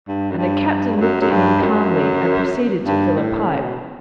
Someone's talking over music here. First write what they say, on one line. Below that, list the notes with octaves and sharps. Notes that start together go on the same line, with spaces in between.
And the captain looked at him calmly and proceeded to fill a pipe.
G2
F#2
G2
G2
F#2
F#2
G2
F#2
G2
A2
C#3
B2